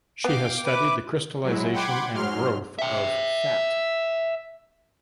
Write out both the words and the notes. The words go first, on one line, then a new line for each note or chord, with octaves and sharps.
She has studied the crystallisation and growth of fat.
B3 F5 G5 D6
E4 B4 D6
F#3 G#3 E4
F#5 G5 B5 C6 D6 G#6
G#2 F#3 C6 F6
E5 G5